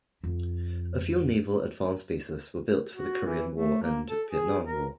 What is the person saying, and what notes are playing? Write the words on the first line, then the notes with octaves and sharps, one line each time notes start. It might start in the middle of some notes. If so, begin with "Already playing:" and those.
A few Naval Advance Bases were built for the Korean War and Vietnam War.
F2
F#4
E3
A3
A#3
A4
G#4
A#4